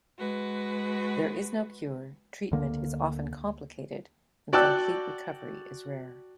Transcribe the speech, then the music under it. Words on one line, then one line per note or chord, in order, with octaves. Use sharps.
There is no cure, treatment is often complicated, and complete recovery is rare.
G#3 F#4 B4
D2 D3 A#3
F#4 D5 G5 A5 E6 F#6